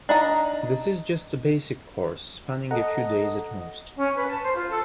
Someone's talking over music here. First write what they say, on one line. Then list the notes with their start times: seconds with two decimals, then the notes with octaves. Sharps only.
This is just a basic course spanning a few days at most.
0.09 D4 D#4 A#5
2.71 A4 D#5 F#5 A#5
3.97 C#4
4.16 B4
4.28 A5
4.43 C5
4.56 F4
4.70 A4